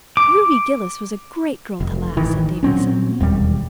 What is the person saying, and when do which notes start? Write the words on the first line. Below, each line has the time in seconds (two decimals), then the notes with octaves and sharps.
"Ruby Gillis was a great girl to laugh," said Davy suddenly.
0.17 D6
1.80 F1
2.17 A1 D#3 E3
2.63 A#2 F#3 C4 C#4
3.20 E1 D#2 G3